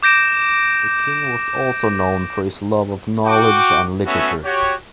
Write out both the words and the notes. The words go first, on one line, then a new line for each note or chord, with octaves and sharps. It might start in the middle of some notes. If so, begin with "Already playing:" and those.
The king was also known for his love of knowledge and literature.
D6 G6 A#6 D7 E7
F#4 G5 D6
A3 B3 C#4 F#4 C#5 E5
F#4 G4 C#5